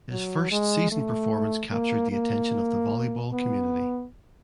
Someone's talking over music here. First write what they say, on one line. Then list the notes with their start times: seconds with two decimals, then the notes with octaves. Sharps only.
His first season performance captured the attention of the volleyball community.
0.11 F#3
0.51 G#3
0.91 A3
1.71 A#3
2.11 A#3
3.33 B3